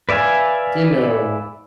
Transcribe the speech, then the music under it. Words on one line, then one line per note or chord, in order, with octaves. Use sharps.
you know
B4 D5 E5 F5 G#5